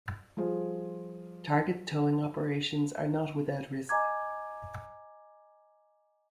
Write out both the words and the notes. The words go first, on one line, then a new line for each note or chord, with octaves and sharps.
Target towing operations are not without risk.
F3 G3 F4 G#4 C5
D#5 G#5 A#5 D6 G#6